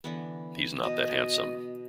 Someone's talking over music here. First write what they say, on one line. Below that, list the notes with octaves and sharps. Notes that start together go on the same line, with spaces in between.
He's not that handsome.
D3 E3 B3
B2 D#5